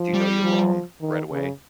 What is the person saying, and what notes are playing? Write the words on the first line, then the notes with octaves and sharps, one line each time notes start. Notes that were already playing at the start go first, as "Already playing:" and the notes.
do you know you're wrong right away?
Already playing: F3
G3
F3
D#3
C#3